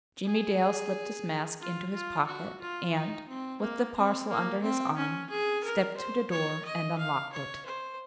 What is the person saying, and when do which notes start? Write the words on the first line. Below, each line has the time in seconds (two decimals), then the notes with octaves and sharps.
Jimmie Dale slipped his mask into his pocket, and, with the parcel under his arm, stepped to the door and unlocked it.
0.25 G#4
1.60 F4
1.93 F4
2.27 F#4
2.61 F4
2.94 D#4
3.28 C4
3.61 A#3
3.96 C4
4.28 A#3
4.62 C4
4.97 C#4
5.30 G#4
5.64 A#4
5.97 C5
6.31 C#5
6.65 D#5
6.98 F5
7.32 C#5
7.65 C5